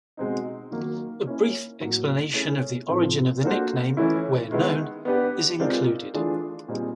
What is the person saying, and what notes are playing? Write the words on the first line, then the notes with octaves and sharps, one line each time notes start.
A brief explanation of the origin of the nickname, where known, is included.
B2 G#3 C4 D#4
D#3 F#3 A#3
A#3 C#4 E4
A2 F#3 A#3
A3 C#4 E4 G#4
A2 F3 A3 C4
A#3 D4 F#4 A4 C5
E3 A3 C#4 E4
D#3 G#3 B3 E4
B3 D4 G4 B4
G#3 C4 F4 A#4 D5
E3 A3 D4 F4 G#4
A#2 G3 C4 D#4 G#4